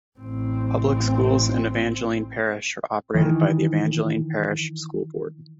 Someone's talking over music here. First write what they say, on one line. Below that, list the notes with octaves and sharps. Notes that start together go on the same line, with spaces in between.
Public schools in Evangeline Parish are operated by the Evangeline Parish School Board.
A1 C4
D#3 E3